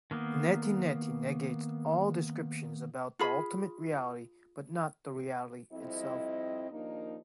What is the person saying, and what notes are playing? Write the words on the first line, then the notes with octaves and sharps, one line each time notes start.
Neti neti negates all descriptions about the Ultimate Reality but not the Reality itself.
D#3 A#3 B3
F4 G#4 B5
F2 G3 C4 E4 D#5
D#2 F3 A#3 D4 D#4